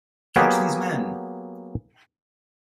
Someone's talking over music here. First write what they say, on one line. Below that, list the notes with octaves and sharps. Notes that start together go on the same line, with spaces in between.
Catch these men!
F#3 A#3 B3 G4 G#4